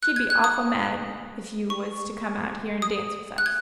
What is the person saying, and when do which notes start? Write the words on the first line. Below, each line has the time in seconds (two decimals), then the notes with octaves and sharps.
"She'd be awful mad if you was to come out here and dance with us."
0.03 F#6
0.16 G#6
0.30 F#6
0.44 D#6
1.70 C#6
2.82 D#6
3.38 F#6
3.46 G#6